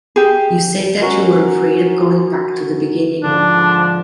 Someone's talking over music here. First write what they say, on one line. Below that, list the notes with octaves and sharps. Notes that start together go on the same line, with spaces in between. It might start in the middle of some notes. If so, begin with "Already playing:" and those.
You said that you were afraid of going back to the beginning.
G4 G#4
C#4 F#4 A#4 C#5
G#2 D3 F3 D4